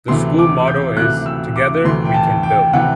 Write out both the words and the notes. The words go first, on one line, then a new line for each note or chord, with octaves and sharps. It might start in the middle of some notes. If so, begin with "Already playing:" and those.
The school motto is "Together we can build".
D2 C3 E3 C6
D6
G6
D2 C3 E3 F#6
E6
D6
D2 C3 E3 C6
G5
A5
G5
C3 E3 F#5